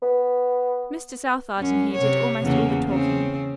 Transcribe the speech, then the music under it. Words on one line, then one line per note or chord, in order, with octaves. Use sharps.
Mr. Southard and he did almost all the talking.
B3
F#2 C#4
C3 C#5
E2 C#3 A#3
C#3 C4